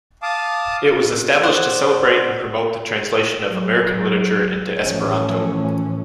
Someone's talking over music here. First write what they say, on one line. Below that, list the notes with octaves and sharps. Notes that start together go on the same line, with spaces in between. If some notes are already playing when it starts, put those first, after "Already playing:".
It was established to celebrate and promote the translation of American literature into Esperanto.
F5 A5 D6 D#6
C5 D5 F#5
F#3
A2 E3 F3 A3 C#4